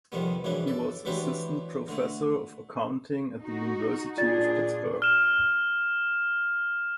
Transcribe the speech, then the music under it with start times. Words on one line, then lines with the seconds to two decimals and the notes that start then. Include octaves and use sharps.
He was assistant professor of accounting at the University of Pittsburgh.
0.12 F2 C3 D#3 G3 B3
0.44 F#2 C#3 E3 D4
0.67 A4 D5
1.05 E3 F#3 D4 G4 B4 C5
1.88 D3 A3
3.41 D#4 F#4
4.17 A#2 D4 F4 G#4 D5 A6
5.02 F6 E7